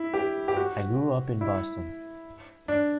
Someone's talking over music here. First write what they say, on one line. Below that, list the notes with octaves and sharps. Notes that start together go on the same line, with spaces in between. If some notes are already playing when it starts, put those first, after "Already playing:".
I grew up in Boston.
Already playing: E4
G4
G4
F#4
E4
D4